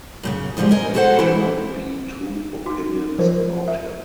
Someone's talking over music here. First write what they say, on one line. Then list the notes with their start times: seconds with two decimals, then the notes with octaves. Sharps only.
There cannot be two opinions about him.
0.23 F#2 A#2 C#3
0.57 E2 D3 F3 G3 G#3
0.71 A#4 D#5 G#5
0.94 E4 F#4 G#4 A4 C5 F#5
1.19 E3 C4 E4
2.66 D#4 F#4
3.18 F3 F#3 F4 A#4 C5
3.68 E5